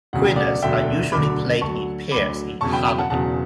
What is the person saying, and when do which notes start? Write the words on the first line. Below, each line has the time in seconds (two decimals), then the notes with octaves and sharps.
Quenas are usually played in pairs, in harmony.
0.13 E1 D2 C#3 F#3 F#5
0.25 G5
0.36 D5 F#5
0.62 E1 D2 D3 F#3 E5 G5
1.12 E1 D2 D3 F#3 B5 D6
1.61 D2 D3 F#3 A5 C#6
2.11 D2 D3 F#3 B5 D6
2.61 E1 E2 C#3 F#3 A5 C#6
2.73 G5 B5
2.85 G5 B5
2.98 F#5 A5
3.10 E1 E2 C#3 F#3 F#5 A5